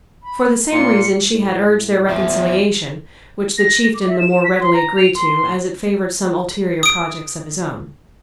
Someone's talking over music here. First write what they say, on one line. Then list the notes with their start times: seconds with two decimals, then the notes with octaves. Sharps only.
For the same reason she had urged their reconciliation, which the Chieftain the more readily agreed to as it favoured some ulterior projects of his own.
0.23 B5
0.72 A#2 C6 C#7
1.34 A2
2.09 E2 F3 E5
3.58 A#6
3.95 D6
4.07 E5
4.19 E7
4.44 B6
4.60 C6
4.74 A#5
4.97 F7
5.15 C6
6.83 D#6 D7